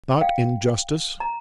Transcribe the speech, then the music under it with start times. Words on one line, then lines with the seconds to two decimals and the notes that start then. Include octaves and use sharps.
'Not in justice?'
0.21 F5 G5
1.20 A#5